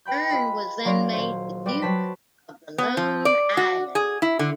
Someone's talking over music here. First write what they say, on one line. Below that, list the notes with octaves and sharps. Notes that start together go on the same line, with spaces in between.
Bern was then made the Duke of the Lone Islands.
B4 G5 B5 G6
F4 G#4 D#5 B5
F#3 C#4 D5 F5 C6 G#6
D#1 C5
G3 B4 D6 A#6
F#3 B4 C5 A5 B6
B3
F3
D5
F#4
G#4
E4
D3